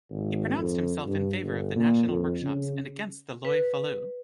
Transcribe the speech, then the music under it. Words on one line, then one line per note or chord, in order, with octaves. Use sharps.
He pronounced himself in favour of the national workshops and against the loi Falloux.
G#1
F2
G2
G1
A#2
F2
C#3
B4